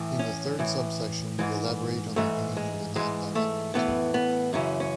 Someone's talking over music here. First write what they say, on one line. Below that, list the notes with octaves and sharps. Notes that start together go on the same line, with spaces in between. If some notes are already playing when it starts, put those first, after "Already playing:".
In the third subsection we elaborate on the meaning of the non-dynamical term.
Already playing: A2 E3
C#4
A2 E3
G#2 E3
G#2 E3 A3
G#3
G#2 E3 G#3
A3
A2 E3 B3
B3
F#2 C#3 E3 C#4
C#4